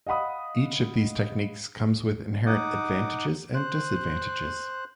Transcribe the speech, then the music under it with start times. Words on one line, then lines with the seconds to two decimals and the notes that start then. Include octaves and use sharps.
Each of these techniques comes with inherent advantages and disadvantages.
0.07 D#5 F5 F#5 B5 D#6
2.46 D#4 F#5 D6 D#6
3.54 C5 F#6